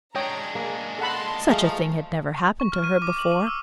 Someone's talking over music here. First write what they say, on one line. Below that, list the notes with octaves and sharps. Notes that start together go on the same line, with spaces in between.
Such a thing had never happened to her before.
G#3 D4 C#5 G5 A#5 D#6
A#3 G#4
A4 F#5 A5 B5 C6
F3 G#3 A3 F5 A#5
C#6
F6
D#7
D6
F#7
D#7
E6